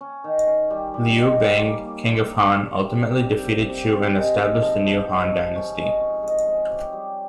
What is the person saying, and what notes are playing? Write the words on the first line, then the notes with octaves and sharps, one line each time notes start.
Liu Bang, king of Han, ultimately defeated Chu and established the new Han dynasty.
C#4
D#3
C#4
G3
G3
D#3
G3
A#3
A#3
G2
A#3
G2
G3
C3
C3
C3
C3
C3
G#3
G#2
F3
F3
G#2
F3
C#4
G#3
C#4
G#3
G#3
G4
G3